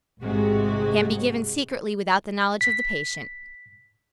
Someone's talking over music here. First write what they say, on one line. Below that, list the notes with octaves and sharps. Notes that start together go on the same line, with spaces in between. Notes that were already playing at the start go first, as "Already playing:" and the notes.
Can be given Secretly without the knowledge of the patient.
A1 G#2 C3 G#3 F#4
B6